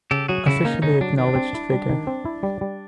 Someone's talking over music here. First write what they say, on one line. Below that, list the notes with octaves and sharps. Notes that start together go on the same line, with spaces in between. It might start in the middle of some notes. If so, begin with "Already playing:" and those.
Officially acknowledged figure.
C#3 G4 A4
F#3 F#4 G#4
C#3 E4 F#4
A#3 C#4 D#4
C#3 C#4 D#4
F#3 D4
D#3 D4
C4
E4
G3
D#3
C4
E4
G3
G3